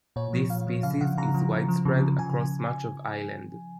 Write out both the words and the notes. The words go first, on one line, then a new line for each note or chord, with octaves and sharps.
This species is widespread across much of Island.
A#2 C#5
F3
A#2 F5
F3
C#3 F5
F3 F#5
C#3 A#5
F3
C#3
F3
C#3
F3
C#3 G#5